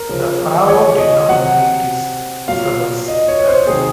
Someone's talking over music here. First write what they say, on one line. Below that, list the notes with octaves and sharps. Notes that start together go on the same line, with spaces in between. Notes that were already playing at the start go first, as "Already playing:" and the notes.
The pharaoh did not treat his servants well.
Already playing: A#4
C#3 F3
C#5
D#5
C3 F#3 F#5
A#2 F#3 F5
D#5
C#5
C#5
C5
C3 D#3 F#3 G#4